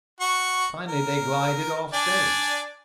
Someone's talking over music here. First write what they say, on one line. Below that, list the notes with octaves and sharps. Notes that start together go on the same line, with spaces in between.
Finally they glided off stage.
F#4 C#6
A#4
D4 D5 G#5